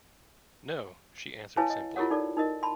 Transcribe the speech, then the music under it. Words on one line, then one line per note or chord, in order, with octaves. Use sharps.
"No," she answered simply.
E4 B4 C#5 F5 G#5 A5
D#5
E4 F4 G4 A#4 C#5 F#5
D#4 A4 D5
D#4 A#4 D#5
A5 B5 C6